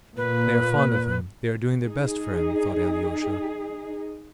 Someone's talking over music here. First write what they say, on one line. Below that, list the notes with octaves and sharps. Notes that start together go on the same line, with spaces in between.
"They are fond of him, they are doing their best for him," thought Alyosha.
A#2 B4
D#4 G#4